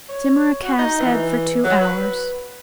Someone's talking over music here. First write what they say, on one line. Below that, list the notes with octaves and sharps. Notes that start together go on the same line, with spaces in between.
Simmer a calves' head for two hours.
C#5
F#4
D#4
E3
F#3
B4